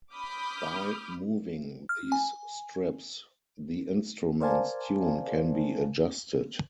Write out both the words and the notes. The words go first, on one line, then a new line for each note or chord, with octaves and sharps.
By moving these strips, the instrument's tune can be adjusted.
B5 D6 D#6 F6 G6
F6
G#5
A#4 C5 D5 F5 G#5 A5